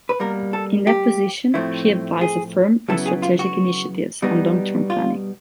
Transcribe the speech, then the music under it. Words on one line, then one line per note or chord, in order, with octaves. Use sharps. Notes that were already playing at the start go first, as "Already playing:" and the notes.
In that position, he advised the firm on strategic initiatives and long-term planning.
B4
B2 G3 A#3 A#4
A4
G4
A2 F3 A3 C4 E4
G#4
C#3 F#3 B3 E4 A4
G#4
F4
F#4
B2 G3 B3 D#4
F4